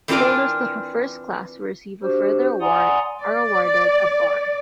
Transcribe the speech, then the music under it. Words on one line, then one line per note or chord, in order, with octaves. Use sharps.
Holders of the first class who receive a further award are awarded a bar.
E3 C4 D4 F4 A#4 D5
D4 F#4 G4 C5
D5 F#5 G#5 A#5 C6 D#6
D5